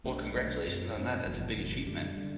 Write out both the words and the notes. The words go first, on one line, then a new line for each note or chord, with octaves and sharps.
Well, congratulations on that, that's a big achievement.
B1 B2 A3 D4
B1 B2 A3 D4
F#2 F#3 C4
F#2 F#3 C4
F#1 E2 B2
F#1 E2 B2
F#2 D3 G3
D3 G3